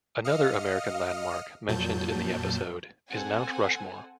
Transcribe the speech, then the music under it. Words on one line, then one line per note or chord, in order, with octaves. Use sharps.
Another American landmark mentioned in the episode is Mount Rushmore.
D#5 F5 D#6 F6 C#7
F2 A#2 F#3 A5 G6
C4 A4 F#5 G#5